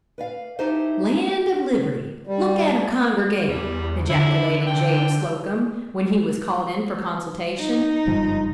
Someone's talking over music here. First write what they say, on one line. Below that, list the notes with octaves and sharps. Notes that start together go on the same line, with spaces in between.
"Land of liberty! look at 'em congregate!" ejaculated Jabe Slocum, when he was called in for consultation.
B4 D5 F5
D#4 E4 G4 A4 C5
G3
E2 G3
D3 E4
G5
D#4
F#1 G2 F3